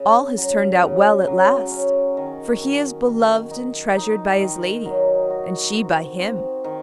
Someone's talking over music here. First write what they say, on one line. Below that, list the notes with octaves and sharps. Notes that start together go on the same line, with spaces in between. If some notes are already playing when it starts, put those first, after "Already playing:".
All has turned out well at last; for he is beloved and treasured by his lady, and she by him.
Already playing: C#3
F#3
C#3
F#3
C#4
D#3
D#3
D#3
D#4
D#4
D#3
F#3
F#4
C4
C4
D#3